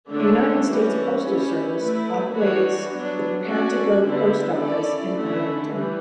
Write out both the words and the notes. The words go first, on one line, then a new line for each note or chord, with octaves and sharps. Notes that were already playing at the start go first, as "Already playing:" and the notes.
The United States Postal Service operates the Pantego Post Office in Arlington.
D3 A3 D4 A4 C#5
E3 G3 C#4 F#4
G3 C#4 E4 G4
A3 E4 B4
E3 G3 D4 F#4 C#5
F#3 B3 D4
C#4 F#4 A4 D5
D3 G3 B3 E4
C#4 E4 A4 D5
D3 A3 C#4 E4
E3 G3